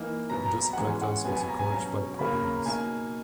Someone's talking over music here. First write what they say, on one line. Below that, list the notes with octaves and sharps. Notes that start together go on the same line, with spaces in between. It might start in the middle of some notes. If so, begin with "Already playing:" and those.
This practice was encouraged by the Portuguese.
Already playing: E3 A#3 D#4
B2 F#3 B3 A#5
A#5
A#5
F#5
E3 G#3 C#4 G#5
F#5
B2 F#3 B3 G#5
G#5
A#5
G#5
B2 F#3 C#4 A#5
C#3 F#3 A#3 C#4 B5
A#5
B2 A#3 D#4 G#5